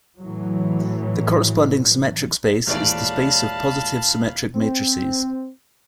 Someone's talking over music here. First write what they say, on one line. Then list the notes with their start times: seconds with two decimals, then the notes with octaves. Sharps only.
The corresponding symmetric space is the space of positive symmetric matrices.
0.19 A2 E3 F#3
2.67 D#1 E3 G#3 C#5 D5 F5 A5 B5
4.53 C4